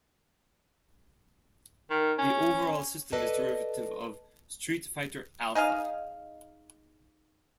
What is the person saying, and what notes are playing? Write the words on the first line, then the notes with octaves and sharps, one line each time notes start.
The overall system is derivative of "Street Fighter Alpha".
D#3
C#4
A4 B4 D5 D#5 A5
D#4 G#4 D#5 F5